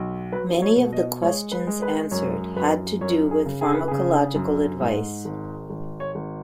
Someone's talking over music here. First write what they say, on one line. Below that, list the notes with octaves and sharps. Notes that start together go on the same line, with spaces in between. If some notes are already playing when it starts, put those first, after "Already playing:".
Many of the questions answered had to do with pharmacological advice.
Already playing: B1
F#3 B4
C#5
B2
D#5
G#3 C#5
B4
G#3
B4
F#2 C#5
F#2 B4
F#2 C#5
G#4
C#3
G#4
B4
C#3 G#4
F#2
G#2
G#1
G#1
C#5
G#1